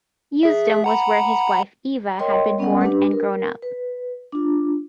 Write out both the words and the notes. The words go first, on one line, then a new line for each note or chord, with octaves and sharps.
Usedom was where his wife Eva had been born and grown up.
G#4 E5
F#5 A#5 B5
A#4 C#5 D#5 G5 C6
G3 B3 C#4 A#4 D5 F#5
D4 G4 B4
A#4
B4
D4 F4